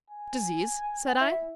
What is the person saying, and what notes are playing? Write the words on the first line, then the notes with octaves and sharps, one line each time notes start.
"Disease?" said I.
G#5
E4